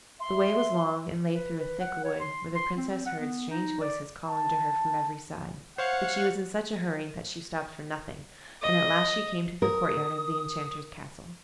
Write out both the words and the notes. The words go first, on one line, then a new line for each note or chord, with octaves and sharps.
The way was long, and lay through a thick wood, where the Princess heard strange voices calling to her from every side, but she was in such a hurry that she stopped for nothing, and at last she came to the courtyard of the Enchanter's castle.
E5 C6
B4
B4
F#5
C#5
C6
C6
C4
C4
F#5
B3
D#4
D5
A5
C5 C#5 F5 F#5 C#6
D#5
A#4 D#6